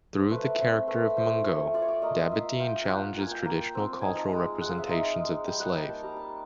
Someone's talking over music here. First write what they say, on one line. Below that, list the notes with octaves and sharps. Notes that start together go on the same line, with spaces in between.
Through the character of Mungo, Dabydeen challenges traditional cultural representations of the slave.
C5
A3 B4
C4 C5
A3 B4
F4 C5
A3 C#5
F4 D5
C#5
D5
A#3 D#5
F4 E5
F4 G5
F4 F#5 G5
A#3 G#5
G5
A#3
C4
D#4 G#5
A5
A#5
G#3
G#3 F#5
F5
E5
D#4 F5
G#3
G3 G5
F#5
A#3 G5
A5
G3 A#5
A5